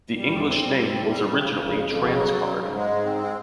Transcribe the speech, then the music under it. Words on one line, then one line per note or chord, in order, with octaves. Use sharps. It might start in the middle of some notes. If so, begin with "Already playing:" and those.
The English name was originally TransCard.
G3
E2
C4
G3
C4
E2
G3
G3
C#3
C#3
F2
F2
C#3
F#3
F#3
C#3
G#2
G#3
G#2
C4
G#3